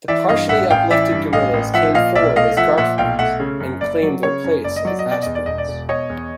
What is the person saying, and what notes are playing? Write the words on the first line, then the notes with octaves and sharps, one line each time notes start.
The partially uplifted gorillas come forward as Garthlings and claim their place as aspirants...
E3 D5 E5
G2 D#5 F5
A1 E5 F#5
A1 F5 G5
E3 D5 E5
G2
A1 D#5 F5
A1
F3 E5 F#5
A#2 D#5 F5
B1 D5 E5
A3 D#5 F5
F3 E5 F#5
A#2 E5 F#5
B1 F5 G5
A3 E5 F#5
C#3
F#2
F#1 D5
F#3
C#3 C#5
F#2
F#1 D5
D#5
F#3 D5
D#5
B2
D5
E2 D#5
D5
E1 D#5
D5
E1
B2 C#5 D#5
E2